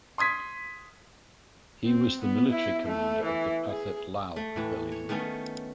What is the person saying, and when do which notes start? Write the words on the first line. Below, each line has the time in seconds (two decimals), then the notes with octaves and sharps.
He was the military commander of the Pathet Lao rebellion.
0.18 C6 D#6 G#6 B6
1.86 C4
2.21 B3
2.51 E4
2.86 A3
3.24 E3
3.70 G#4
4.36 A3
4.56 A2 E3
4.92 C#5
5.09 D#3 A3 B3 C#4